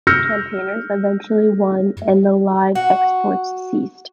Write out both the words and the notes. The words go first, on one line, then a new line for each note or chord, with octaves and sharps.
The campaigners eventually won and the live exports ceased.
E6 F6 G6 A#6 C#7
F#4